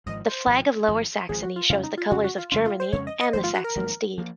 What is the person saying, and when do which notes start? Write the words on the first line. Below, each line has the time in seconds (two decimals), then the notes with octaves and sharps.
The flag of Lower Saxony shows the colors of Germany and the Saxon Steed.
0.06 G#1 G#2 F3 D#5
0.26 C5
0.46 G#1 G#2 F3
0.88 G#1 G#2 F3
1.29 G#1 G#2 F3 G#4
1.43 F#4
1.56 F4
1.69 F2 C#3 G#3 C#4 F4
1.83 D#4
1.98 F4
2.11 F2 C#3 G#3 C#4 F#4
2.24 F#4
2.38 F4
2.52 F2 C#3 G#3 C#4 F4
2.65 F4
2.80 C5
2.93 F2 C#3 G#3 C#4 C#5
3.07 D#5
3.21 D#5
3.33 G#1 G#2 F3 A#3 C5
3.44 F4
3.54 F#4
3.64 A#4
3.75 G#1 G#2 F3 A#3
4.18 F3 A#3